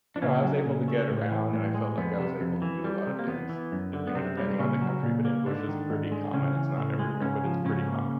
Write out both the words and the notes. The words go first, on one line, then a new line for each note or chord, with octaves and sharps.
you know, I was able to get around, and I felt like I was able to do a lot of things, y you know, depending on the country, but English is pretty common- it's not everywhere, but it's pretty common.
D4
A#2 C#3 C#4
F#3
A#2
A3
A2
E3
A2
G#3
F2 B3
C3
F2
E3
G3
C3
A#3
E2 B3
E3
F#2
D3
B3
F#2 C3 C4
G3
A#2 C#3 C#4
F#3
A#2
A#3
G#2 D3 D4
D#3
G#2
G#3
A2 C#3 C#4
E3
A2
G#3
G#2 C#3 C#4
F3
G#2 C#3 C#4
A#3